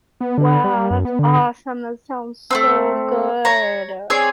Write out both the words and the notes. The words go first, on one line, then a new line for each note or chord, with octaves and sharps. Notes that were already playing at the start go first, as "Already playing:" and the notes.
Wow, that's awesome, that sounds so good. Oh,
B3
D3
G3
F#2
B3
D3
A3 B3 C4
C#5 A#5
C4 G#4 C#5 D5